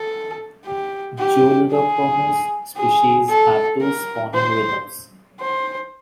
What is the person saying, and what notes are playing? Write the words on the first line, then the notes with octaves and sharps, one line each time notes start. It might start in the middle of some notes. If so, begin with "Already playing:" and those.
"Julidochromis" species have two spawning rhythms.
Already playing: A4
G4
G4
G#4
G#4
A4
A#4
C5
C5